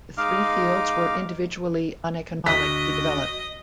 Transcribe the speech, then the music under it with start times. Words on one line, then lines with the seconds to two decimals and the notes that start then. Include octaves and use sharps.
The three fields were individually uneconomic to develop.
0.17 G#3 D#4 D#5 F5 D6 F6
2.46 D2 F#4 D#5 B6